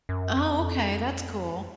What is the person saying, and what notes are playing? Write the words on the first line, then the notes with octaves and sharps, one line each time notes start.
Oh, okay, that's cool.
F#2
F2
F#2